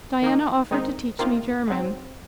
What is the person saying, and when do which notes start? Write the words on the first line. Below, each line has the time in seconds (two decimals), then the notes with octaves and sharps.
Diana offered to teach me German.
0.22 D#3 A#3 D#4
0.71 D#3 G#3 C4 D#4
1.19 C3 D#3 A#3 F4
1.67 G#2 F#3 C4